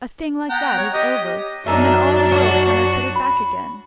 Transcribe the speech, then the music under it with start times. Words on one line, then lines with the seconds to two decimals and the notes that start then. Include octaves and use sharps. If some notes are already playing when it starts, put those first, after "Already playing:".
A thing like that is over, and then all the world cannot put it back again.
0.49 B3 F#5 G5 A#5
0.77 C#5
0.93 G4 D#5
1.66 F#2 F#3 D4 D#4 A#4 E5
2.32 F#4
3.16 B5